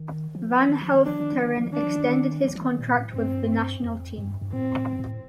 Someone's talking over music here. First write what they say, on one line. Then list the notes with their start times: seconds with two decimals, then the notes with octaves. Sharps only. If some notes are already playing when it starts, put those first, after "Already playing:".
Van Helfteren extended his contract with the national team.
Already playing: D#3
0.35 F3
0.69 D#3
0.82 F3
0.94 D#3
1.04 F3 D4
1.20 D#3
1.33 F3
1.45 D#3
1.57 F3
1.70 D#3 D4
1.83 F3
1.95 D#3
2.43 F3
2.55 F3
2.61 D#3
2.79 A#2
2.96 A2
3.13 G2 C4
3.83 F2
4.18 G2
4.41 G2
4.52 A2 C4
4.76 A2
4.93 G2
4.99 A2